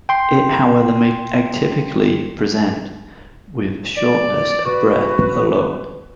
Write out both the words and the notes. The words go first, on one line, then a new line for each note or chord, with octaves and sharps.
It however may atypically present with shortness of breath alone.
G5 C6
D5
F#4 B4